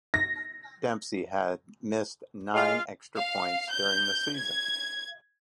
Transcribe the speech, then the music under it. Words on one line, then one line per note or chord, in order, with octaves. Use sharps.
Dempsey had missed nine extra points during the season.
A#6
G#3 F4 F5
F5
G6
G#6